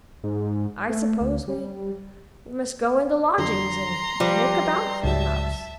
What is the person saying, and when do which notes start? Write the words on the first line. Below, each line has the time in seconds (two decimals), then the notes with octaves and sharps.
'I suppose we must go into lodgings, and look about for a house.
0.24 G#2
0.89 A3
1.21 D2
1.48 G3
3.38 F2 D3 F#3 A#5 C6
4.20 F3 G3 B4
5.03 C#2 G#2 F#3 E5 A5